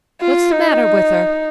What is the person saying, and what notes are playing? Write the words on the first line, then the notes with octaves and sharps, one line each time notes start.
What's the matter with her?
F4
D#4